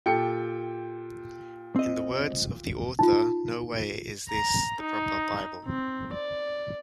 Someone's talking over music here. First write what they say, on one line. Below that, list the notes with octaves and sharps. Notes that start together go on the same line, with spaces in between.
In the words of the author, No way is this the Proper Bible.
A#2 G4 A4 G5 C#7
C4 D#5
D#4 F4
A#5
D#4
C4
D5